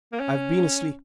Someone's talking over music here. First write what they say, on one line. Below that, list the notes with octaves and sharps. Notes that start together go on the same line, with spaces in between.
"I've been asleep."
A#3
C#4